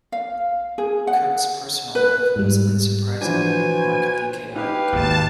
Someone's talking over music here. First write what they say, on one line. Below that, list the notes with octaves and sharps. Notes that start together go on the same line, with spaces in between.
Cooke's personal life was, unsurprisingly, markedly chaotic.
F5
G#4
F#5
B4
G#2 G3
E3 F3 D4 F#4 B4 C5 G#5
D#4 G4 B4 F5
G#1 D#2 D#3 D#5 A5